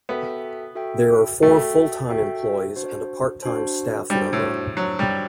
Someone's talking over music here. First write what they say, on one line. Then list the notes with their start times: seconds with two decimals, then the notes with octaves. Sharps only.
There are four full-time employees and a part-time staff member.
0.09 B3 F#4 A4 E5 G5
0.75 F#4 A4 E5 G5
1.42 A3 F#4 A4 E5 G5
2.09 F#4 A4 E5 G5
2.76 D4 F#4 C5
3.43 D4 F#4 C5
4.10 G3 D4 F#4 C5
4.33 A2
4.77 F#3 D4 F#4 C5
4.99 G3